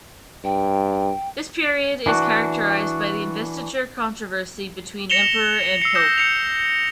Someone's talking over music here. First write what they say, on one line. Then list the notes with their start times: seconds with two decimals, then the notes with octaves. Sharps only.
This period is characterized by the Investiture Controversy between Emperor and Pope.
0.44 G2 G5
2.06 E3 D4 F#4
5.10 A#6 C#7 E7 F7 G7
5.82 E6 C7 C#7
5.95 D#6 G6 A#6 E7
6.18 G6 C#7 F7